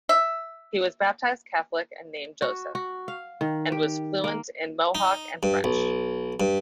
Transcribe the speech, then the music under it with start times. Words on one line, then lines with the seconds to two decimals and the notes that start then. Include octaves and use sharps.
He was baptized Catholic and named Joseph, and was fluent in Mohawk and French.
0.09 E5
2.42 F#4
2.75 F#4
3.08 F5
3.41 D#3
3.72 G4
4.24 A#3
4.95 D#4
5.43 G2
5.64 B1
6.40 G2